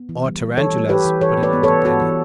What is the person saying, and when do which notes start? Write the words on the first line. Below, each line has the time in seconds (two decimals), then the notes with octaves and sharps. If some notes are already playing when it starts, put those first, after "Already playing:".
"Or tarantulas," put in Uncle Daniel.
Already playing: B3
0.09 E3
0.25 G3
0.41 G3
0.57 E3 A4 C#5
0.73 G3
0.89 E3 G4 B4
1.05 E3
1.21 E3 A4 C#5
1.37 B3
1.43 B4 D5
1.53 B3
1.63 A4 C#5
1.69 E3
1.85 B3 F#4 A4
2.02 E3